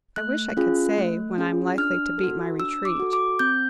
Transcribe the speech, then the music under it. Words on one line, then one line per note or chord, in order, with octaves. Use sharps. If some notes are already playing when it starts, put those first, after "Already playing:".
I wish I could say when I am likely to beat my retreat.
A3 F#6
C#4 F4 G#4
A3
C#4 F4 G#4
D4 F6
A4
F#4
D4 E6
D6
F#4 A4
D6
C4 G6